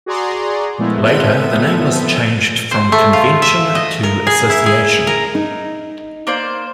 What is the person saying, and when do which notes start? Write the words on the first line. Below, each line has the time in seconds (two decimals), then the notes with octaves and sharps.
Later the name was changed from "Convention" to "Association".
0.06 F#4 G#4 D5 A#5 C6
0.78 A#2 F3 G#3 A3 B3 E4
1.03 F3 B3 C4 A4 E5 D#7
2.71 C5
2.92 A3
3.13 F4
3.42 E5
3.75 D#5
4.03 A#4
4.27 G#4
4.50 E4
4.66 G#4
5.07 A#4
5.35 D#4
6.27 A#3 C5 D5